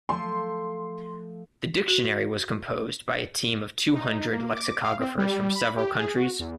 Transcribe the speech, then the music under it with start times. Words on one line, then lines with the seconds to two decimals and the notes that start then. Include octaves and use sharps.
The dictionary was composed by a team of two hundred lexicographers from several countries.
0.09 F3 A3 C6
1.88 F#4
3.94 D#4
4.32 A#3
4.54 D6
4.83 F5
4.99 C4
5.18 G3
5.55 B5
5.76 G4
5.99 G#4
6.15 F#4
6.39 E2